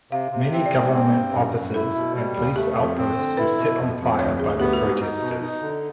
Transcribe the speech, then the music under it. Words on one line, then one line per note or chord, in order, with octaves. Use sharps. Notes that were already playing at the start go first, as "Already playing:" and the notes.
Many Government offices and police outposts were set fire by the protesters.
C3 F5
C3
C4 E5
D5
G#2
C4
G2
F#2
F#2
E4 A4
B2
G3
D#2
A3 G4
F2
C4
D3
E4 B4
B2
F2
F2
D2 C#5
C#5
D2 G#4
G#4
B3 G4
F#4
G#2
G4
D#4 F#4
B2
D#4
D3